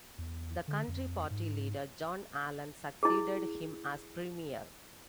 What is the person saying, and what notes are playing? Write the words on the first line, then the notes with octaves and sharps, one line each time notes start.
The Country Party leader, John Allan, succeeded him as Premier.
E2
D3
F2
G#2
E4 G#4